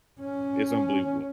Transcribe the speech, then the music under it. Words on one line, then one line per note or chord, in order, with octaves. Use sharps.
it's unbelievable,
C#4